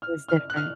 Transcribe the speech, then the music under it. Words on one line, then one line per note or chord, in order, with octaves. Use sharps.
It was different.
F6
F6
F#6
F6